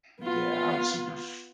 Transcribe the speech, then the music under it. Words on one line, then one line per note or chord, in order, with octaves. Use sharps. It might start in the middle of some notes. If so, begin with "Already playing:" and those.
yeah, I'm super f
B3 F4